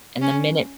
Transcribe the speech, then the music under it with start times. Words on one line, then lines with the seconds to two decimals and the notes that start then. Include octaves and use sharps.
And the minute
0.21 C#4